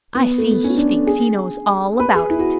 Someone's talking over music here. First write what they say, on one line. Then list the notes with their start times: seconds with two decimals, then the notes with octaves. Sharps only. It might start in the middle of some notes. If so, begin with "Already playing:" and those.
I see he thinks he knows all about it.'
0.15 B3
0.38 A3
0.51 B3
0.64 C#4
0.77 D4
1.07 G#4
2.00 B4
2.15 G#4
2.30 E4
2.39 F#4